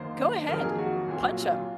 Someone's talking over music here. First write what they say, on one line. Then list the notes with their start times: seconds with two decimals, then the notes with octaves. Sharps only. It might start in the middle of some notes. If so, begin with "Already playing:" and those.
go ahead, punch him,
Already playing: F#2 D#3 A#3 C5
0.49 F2 D#3 F#3 A#3 A#4
0.64 G#4
0.78 F#4
1.08 C2 A#2 F#3 A#3
1.37 F4